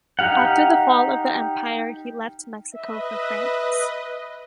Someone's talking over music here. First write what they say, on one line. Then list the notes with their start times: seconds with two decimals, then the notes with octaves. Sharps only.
After the fall of the Empire he left Mexico for France.
0.19 D#4 G4 F5 F#5
2.75 B4 D#5 E5